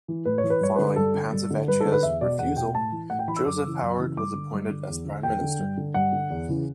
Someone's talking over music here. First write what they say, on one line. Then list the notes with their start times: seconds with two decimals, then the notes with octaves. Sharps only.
Following Panzavecchia's refusal Joseph Howard was appointed as Prime Minister.
0.08 E3
0.25 A2 B4
0.38 C#5
0.44 E3
0.50 B4
0.61 G2 C#5
0.76 D3 B4
0.96 G2 A4
1.14 D3
1.32 G2
1.51 D3
1.68 G2 B4
1.80 A4
1.85 D3
1.92 B4
2.03 E2 E5
2.21 B2 D5
2.39 E2 F#5
2.57 B2 G5
2.74 A2 A5
2.92 E3
3.10 A2 F#5
3.19 G5
3.28 E3 B5
3.36 E6
3.46 F#2 D6
3.63 C#3 E3
3.81 F#2
3.99 C#3 E3
4.17 G2 D6
4.35 D3
4.52 G2
4.70 D3
4.89 E2
5.05 D3
5.23 E2 G5
5.41 D3
5.59 G2
5.78 D3
5.94 G2 F#5
6.13 D3
6.30 E2
6.49 C#3 E3